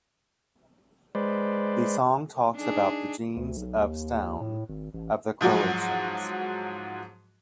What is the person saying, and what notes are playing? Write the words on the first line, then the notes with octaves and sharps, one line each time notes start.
The song talks about the "genes of stone" of the Croatians.
G#3 B4 C5 D5
D4 D#4 G#4
D2
B1
D#2
A2
G#1
A1
G#2 F3 F#3 F#4